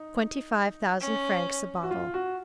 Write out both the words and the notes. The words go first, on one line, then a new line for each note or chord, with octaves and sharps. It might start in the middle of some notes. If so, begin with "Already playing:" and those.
"Twenty-five thousand francs a bottle."
Already playing: D#4
C#4
F#4
F4
F#4